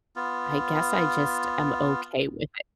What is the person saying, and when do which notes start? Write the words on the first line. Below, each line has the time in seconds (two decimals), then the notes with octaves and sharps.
I guess I just am okay with
0.16 B3 F4